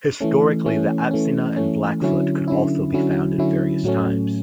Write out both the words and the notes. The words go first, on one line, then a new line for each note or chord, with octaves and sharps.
Historically the Atsina and Blackfoot could also be found at various times.
E3 A3 C#4
E3 A3 C#4
E3 A3 C#4
E3 A3 C#4
D3 F#3 C#4 E4
D3 F#3 C#4 E4
D3 F#3 C#4 E4
D3 F#3 C#4 E4
A2 F#3 A3 C#4